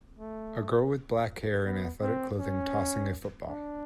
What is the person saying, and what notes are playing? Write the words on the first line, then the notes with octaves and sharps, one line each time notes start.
A girl with black hair in athletic clothing tossing a football.
A3
B3
C4
C#4
D4